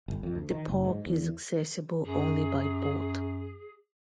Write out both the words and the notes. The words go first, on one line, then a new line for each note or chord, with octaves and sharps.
The park is accessible only by boat.
G1
F2
D2
D#3
F#1
G#2
E2
F#2 G#4